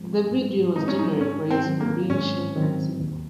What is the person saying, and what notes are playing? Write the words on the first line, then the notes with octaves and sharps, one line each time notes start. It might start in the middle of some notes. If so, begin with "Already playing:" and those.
The video was generally praised for being short and simple.
Already playing: G#2 F3 G#3 C4
G#2
F3 G#3 C4 D#4
C#4
D#4
G#2 C#4
C4
D#3 F#3 C4
A#3
G#2 C#4
D#3 F#3 C4
D#2